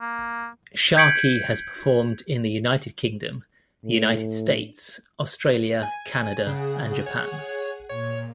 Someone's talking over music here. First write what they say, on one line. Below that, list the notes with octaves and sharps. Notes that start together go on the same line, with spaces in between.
Sharkey has performed in the United Kingdom, the United States, Australia, Canada, and Japan.
A#3
G6 G#6 B6 C#7 D7 F#7
A2
G#5
C#3 G#4 F#5
C#5
A#2 C#5